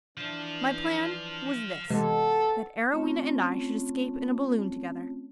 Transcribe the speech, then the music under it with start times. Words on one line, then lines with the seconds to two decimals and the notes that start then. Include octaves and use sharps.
My plan was this--that Arowhena and I should escape in a balloon together.
0.17 E3 F3 D4 F4
1.90 C3 E3 G#3 B3 A4
2.92 A3 C4 C#4 F4 C#5 A5